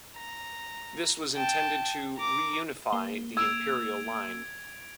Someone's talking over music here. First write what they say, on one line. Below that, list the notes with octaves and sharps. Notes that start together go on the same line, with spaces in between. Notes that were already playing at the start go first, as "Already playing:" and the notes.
This was intended to reunify the Imperial Line.
A#5
G5 A5
A#5 D6
A#3 G7
E6 G#6 D7 F7